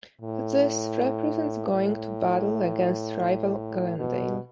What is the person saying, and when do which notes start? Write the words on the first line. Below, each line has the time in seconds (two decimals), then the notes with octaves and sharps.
This represents going to battle against rival Glendale.
0.22 A2
1.72 A2
3.99 B2